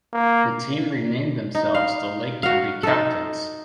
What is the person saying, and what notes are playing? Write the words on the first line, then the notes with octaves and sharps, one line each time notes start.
The team renamed themselves the Lake County Captains.
A#3
D#4
F5
F#4 F5
D#4 A4